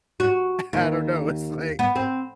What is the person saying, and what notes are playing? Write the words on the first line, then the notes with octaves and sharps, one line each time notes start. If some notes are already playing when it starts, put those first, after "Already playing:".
I don't know, it's like,
F#4
D#2
B3
C4